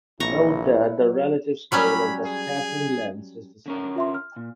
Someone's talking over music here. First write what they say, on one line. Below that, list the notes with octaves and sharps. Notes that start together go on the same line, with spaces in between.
Note that the relative scale of the scattering lengths is the same.
A#1 E4 A#5 C#6
F#3
F#3 G3 C#4 B5
G#4
D3 C#4 A#4
F4 E5 C6
F6
A#2